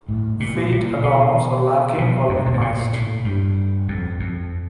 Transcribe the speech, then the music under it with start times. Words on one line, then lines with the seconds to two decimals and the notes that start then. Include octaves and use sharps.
Feet and arms are lacking or minimized.
0.09 A2
0.40 A#2
0.72 A#2
1.03 B2
1.98 B2
2.29 F#2
2.37 G2
2.46 G#2
2.54 A2
2.61 A#2
2.93 A2
3.24 G2
3.88 F2
4.20 F2